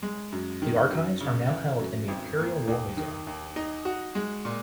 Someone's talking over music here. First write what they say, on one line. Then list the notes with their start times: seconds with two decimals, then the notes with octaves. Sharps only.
The archives are now held in the Imperial War Museum.
0.02 G#3
0.32 F#2
0.62 D#3
0.91 F#2
1.21 C#3
1.49 E3
1.79 F#2
2.08 G#1
2.38 A#3
2.68 D#2
2.97 D#3
3.27 D#2
3.56 D#4
3.85 F#4
4.15 G#3
4.45 A#2